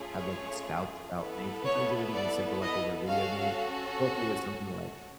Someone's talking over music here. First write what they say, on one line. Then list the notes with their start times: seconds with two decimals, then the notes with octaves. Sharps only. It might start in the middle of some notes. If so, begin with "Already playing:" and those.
have, like, these spouts about things, sometimes it would even simple, like, over a video game or if it was something like,
Already playing: A3 C#4 F4 G#4
0.20 C#5
1.17 B3 E4 A4
1.65 C#5
2.13 D5
2.62 D#5
3.10 C#4 F#4 A4 F5